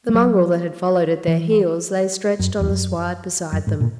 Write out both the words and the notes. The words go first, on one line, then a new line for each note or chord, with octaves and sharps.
The mongrel that had followed at their heels lay stretched on the sward beside them.
G#3
F#3
E3
F#2
E2
F#2
F#2
G#2
A#2